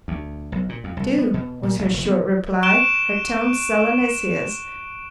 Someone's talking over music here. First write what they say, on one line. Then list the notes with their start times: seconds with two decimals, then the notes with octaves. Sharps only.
"Two," was her short reply, her tone sullen as his.
0.08 D2
0.52 B1
0.69 A#2
0.84 F2
0.97 C2
1.18 B3
1.34 B2
1.63 A#2
1.79 A#1
1.94 F1
2.05 B3
2.63 C#6 F#6 D7 E7 G7